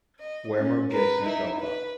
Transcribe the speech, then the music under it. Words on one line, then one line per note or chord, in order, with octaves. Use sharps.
Wermeer gives himself up.
D#5
C#4
A#4 B4
D#4 E4
B4